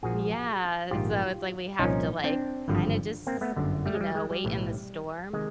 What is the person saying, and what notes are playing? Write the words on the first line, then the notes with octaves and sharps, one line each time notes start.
Yeah. So, it's like we have to, like, kinda just, you know, wait in the storm
A#1 A#2 F3 F#4 G#4
A#1 G#2 D#3 F4 G4
C2 A#2 F3 C#4 D#4
C4 D4
G#1 G2 D3 F3
A#3 C4
A3 B3
G1 F#2 D3
G3 A3
G#3
G3
G#3
G3
B1 A2 E3
C3 D#3 G#3